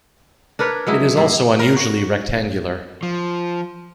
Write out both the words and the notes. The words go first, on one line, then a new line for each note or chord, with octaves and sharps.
It is also unusually rectangular.
D4 A#4 B4 C#5
F#3 G#3 E4
G2 A#3
A#4
F#4
F3